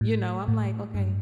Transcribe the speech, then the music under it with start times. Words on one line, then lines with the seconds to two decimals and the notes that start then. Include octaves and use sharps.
You know, I'm like, "Okay."
0.01 A2
0.48 A2
0.94 G2